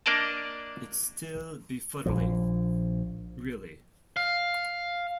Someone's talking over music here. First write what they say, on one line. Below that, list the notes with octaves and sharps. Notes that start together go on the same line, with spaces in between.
It's still befuddling, really.
A#3 D4 A#4 D5 D#5 A5
A#1 A#2 F3
F5